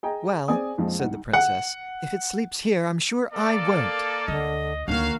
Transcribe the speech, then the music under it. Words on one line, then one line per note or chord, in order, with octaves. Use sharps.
'Well!' said the Princess, 'if it sleeps here, I'm sure I won't.'
G#4 D#5 G5 A#5
C4 G#4 D5 G#5 D#6
A#1 F2 F3 G#3
C2 D#4 F#5
F#5
A#3 A4 D5
D2 D3 D#5
D2 D#3 A#3 F#4 C#5 F5